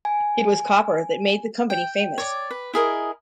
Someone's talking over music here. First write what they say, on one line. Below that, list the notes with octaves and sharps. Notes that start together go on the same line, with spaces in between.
It was copper that made the company famous.
G#5
G5
C#5 D5
B4
E4 G#4 A#4 D#5